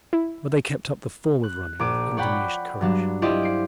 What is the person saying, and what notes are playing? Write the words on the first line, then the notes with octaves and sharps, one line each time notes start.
But they kept up the form of running with undiminished courage.
E4
F#6
A#1 D6 D#7
C#5 D5 F#5 G5 B5
G2 F#3 D4
E4 F4 G4 C5 D5 D#5
C7 D7